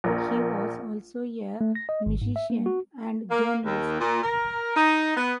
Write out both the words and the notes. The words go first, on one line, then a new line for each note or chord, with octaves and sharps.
He was also a musician and journalist.
A#1 A#3 A#4
A3
A#6
D#5
G#1
G#2
E5
A#3
F#4
A#3
D#2
A#2
A#4
D#4
B3